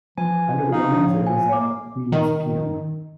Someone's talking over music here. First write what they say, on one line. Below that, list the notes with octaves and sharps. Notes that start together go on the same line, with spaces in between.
Under the Romans it was a "municipium".
E3 F3 G#5
D#4 F5
A2
G#5
A#3 D6
D#3